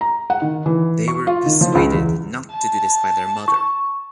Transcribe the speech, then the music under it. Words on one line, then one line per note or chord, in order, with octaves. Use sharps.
They were persuaded not to do this by their mother.
A#5
F#5
D#3
E3
C#6
F4
D#3
F3
C#2
E2
A5
C#6